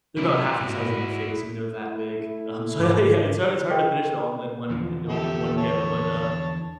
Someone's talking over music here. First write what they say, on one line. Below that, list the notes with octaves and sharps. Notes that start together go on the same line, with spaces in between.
they're about half the size of my face, I mean, they're that big, um, so, yeah yeah, it's hard it's hard to finish it all in in one in yo in one go, but, uh,
C3 F#3 E4 D5
G#2 F#4
A3 E4
G#2 D6
G#4 A#4 D#5 G5
E2 D3 F3
G4 A4 E5
C#5 A5